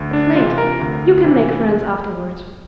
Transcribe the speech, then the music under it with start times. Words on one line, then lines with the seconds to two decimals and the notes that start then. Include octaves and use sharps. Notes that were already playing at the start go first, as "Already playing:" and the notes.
"It's late. You can make friends afterward."
Already playing: D2
0.13 D4
0.35 C3 E3 F4
0.58 A#4
0.80 D2
1.24 C3 E3